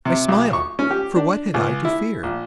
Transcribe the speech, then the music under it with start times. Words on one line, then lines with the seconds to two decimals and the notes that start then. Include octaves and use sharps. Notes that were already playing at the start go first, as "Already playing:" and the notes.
I smiled,--for what had I to fear?
0.05 C3
0.28 B1
0.53 C#6
0.79 C#4
0.91 G4
1.16 D4
1.54 C#2
1.85 E4
2.23 A#1